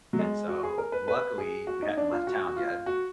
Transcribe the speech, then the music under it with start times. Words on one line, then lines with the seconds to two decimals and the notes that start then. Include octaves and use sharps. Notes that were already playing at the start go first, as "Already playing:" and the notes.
And, so, luckily we hadn't left town yet,
0.13 F#3
0.19 G#3
0.48 F#4
0.63 G#4
0.78 A#4
0.92 B4
1.08 B4
1.38 G#4
1.67 F#4
1.82 D#4
1.97 D4
2.12 F4
2.27 F#4
2.47 F#4
2.56 F4
2.86 F#4